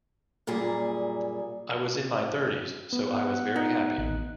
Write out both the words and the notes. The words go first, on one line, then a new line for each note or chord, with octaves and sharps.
I was in my thirties, so I was very happy.
F#2 A#2 G3 G#4
B3 F#5
D#4
A1 D#2 F#6